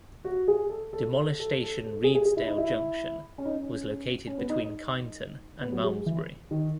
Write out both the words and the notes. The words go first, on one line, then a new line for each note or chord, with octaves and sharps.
Demolished station Redesdale Junction was located between Kyneton and Malmsbury.
F#4
G#4
A4
A4
A4
A4
A4
A4
G#4
G#4
G#4
E4
D#4
E4
C#4
D#4
C#4
C#4
B3
D#4
D#4
B3
F#3
G#3
E3
D#3